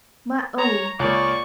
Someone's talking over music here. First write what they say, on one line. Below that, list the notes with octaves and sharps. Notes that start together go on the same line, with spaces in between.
My own!
C#5 A#5
C#2 A#3 D5 C#6